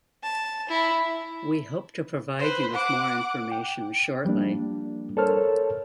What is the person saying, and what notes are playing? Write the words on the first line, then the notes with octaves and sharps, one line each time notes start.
We hope to provide you with more information shortly.
A5
E4
B4 C5
F#5 D6
G5
F3 G3 A#3 D4
A4 A#4 C5 C#5 A5 F6